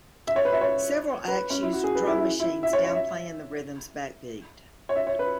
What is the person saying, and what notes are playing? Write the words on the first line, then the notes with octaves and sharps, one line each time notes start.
Several acts used drum machines downplaying the rhythm's backbeat.
E5
C#5
B4
E5
C#5
B4
C#4
E4
F#4
G#4
B4
E4
E4
E4
E5
C#5
C#5
E5
C#5
E5
C#5
B4